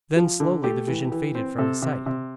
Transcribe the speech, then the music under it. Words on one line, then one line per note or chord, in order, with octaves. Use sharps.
Then slowly the vision faded from his sight.
F3
D3
A3 G4
E3
E3
C4
C3 A4
C3
C3